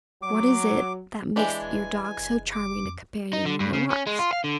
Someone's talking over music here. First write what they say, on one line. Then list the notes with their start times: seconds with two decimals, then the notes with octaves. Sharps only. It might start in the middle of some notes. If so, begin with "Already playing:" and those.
What is it that makes your dog so charming a companion in your walks?
0.22 F#3 D6
1.36 E3 G#3 D4 G4
1.62 D#1 G#5
2.03 G#5
2.18 F#1
2.53 D6
2.84 F2
3.33 D#4
3.45 D3
3.60 G2
3.73 C#3
3.91 C#4
4.07 G#3
4.19 F4
4.33 F5
4.44 D3